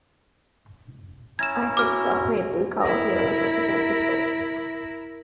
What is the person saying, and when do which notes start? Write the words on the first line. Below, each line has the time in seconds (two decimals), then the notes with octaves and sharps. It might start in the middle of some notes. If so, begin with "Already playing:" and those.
I think self-made, blue-collar heroes represent Detroit.
1.39 C#4 E4 A#5 G#6 E7
1.77 F#4 D6 F6
2.82 E4 A#4